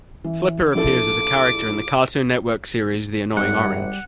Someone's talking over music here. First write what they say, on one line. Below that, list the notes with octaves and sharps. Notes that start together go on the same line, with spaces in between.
Flipper appears as a character in the Cartoon Network series The Annoying Orange.
E3
A#1 E4 A4 D6
G#1 G2 C3 G3 F#5